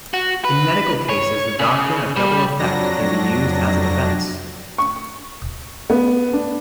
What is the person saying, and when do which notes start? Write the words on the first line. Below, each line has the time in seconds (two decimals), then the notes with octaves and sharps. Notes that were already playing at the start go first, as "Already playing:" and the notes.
In medical cases the doctrine of double effect can be used as a defence.
0.14 F#4
0.45 B4
1.09 C#5
1.59 C#3
2.16 G3
2.59 F2 F#3 D4 A#6
4.78 C#6
5.90 B3
6.33 D4